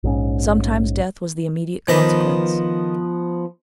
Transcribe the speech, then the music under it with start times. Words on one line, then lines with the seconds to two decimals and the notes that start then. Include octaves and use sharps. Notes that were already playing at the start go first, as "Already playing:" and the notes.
Sometimes death was the immediate consequence.
0.04 A#1 G#2 C#4
1.88 D#3 F3 B3 B4 C5 D#5